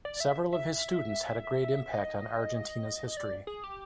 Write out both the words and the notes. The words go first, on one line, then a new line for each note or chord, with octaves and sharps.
Several of his students had a great impact on Argentina's history.
D5
E5
E5
D#5
D#5
D5
G#4
G4